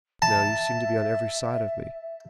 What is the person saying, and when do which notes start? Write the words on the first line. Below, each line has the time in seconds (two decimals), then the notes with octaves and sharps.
"No; you seem to be on every side of me."
0.22 E5 A5